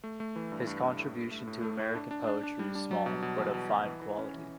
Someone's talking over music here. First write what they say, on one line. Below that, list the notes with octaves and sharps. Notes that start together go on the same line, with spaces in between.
His contribution to American poetry is small but of fine quality.
A3
A3
E3
G2
G2
G2
A2
A2
A3
A2
A3
A2
D4
D4
D4
D4
G3
D4
F#3
B2
B2
E2
B2
B2
E3
E3
C#4
E3